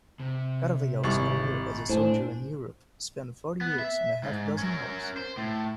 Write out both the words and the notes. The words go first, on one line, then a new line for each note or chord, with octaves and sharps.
Carvajal's career as a soldier in Europe spanned forty years and a half-dozen wars.
C3
G#1 G3 E4 C#6
A2 D4 C5 G#5
B3
E5
G#2
C#4 A#4
C5
A2